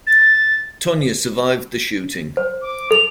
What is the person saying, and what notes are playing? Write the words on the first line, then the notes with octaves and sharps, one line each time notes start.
Tonya survived the shooting.
A6
C5
D6
A4 F7